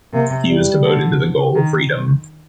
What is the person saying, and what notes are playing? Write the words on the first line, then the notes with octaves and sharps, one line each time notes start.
He was devoted to the goal of freedom.
C3 A#3
G3
D3
D#3